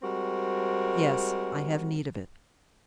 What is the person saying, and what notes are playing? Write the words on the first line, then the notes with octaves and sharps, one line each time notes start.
"Yes, I have need of it."
G3 G#3 C4 F#4 A#4